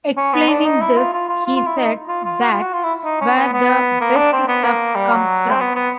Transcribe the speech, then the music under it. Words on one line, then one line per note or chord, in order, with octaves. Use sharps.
Explaining this, he said, that's where the best stuff comes from.
C#4
B3
D4
D#4
E4
F4
F4
F4
F4
F4
E4
D#4
F4
F4
F#4
F4
F#4
F4
E4
D#4
C#4
B3
B3
A#3
D4
C4
B3
A#3
G3
F#3
C4
B3
B3